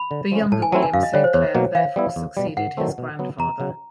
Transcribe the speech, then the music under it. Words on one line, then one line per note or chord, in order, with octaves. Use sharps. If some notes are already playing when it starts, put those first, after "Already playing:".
The younger William St Clair therefore succeeded his grandfather.
Already playing: B5
D3
F3 G#3 C#4
A2 A5
G#5
F#3 A3 C4 E4 A5
G#5
F#2 F5
D#5
D3 G3 C#5
C5
E2 C#5
B2 F#3 A#3
E3 F5
G3 B3 E4
E2
B2 G3
G#2 F#5
D#3 F#3 A3 C4
B2
F#3 B3
E2 A#5
C#3 F#3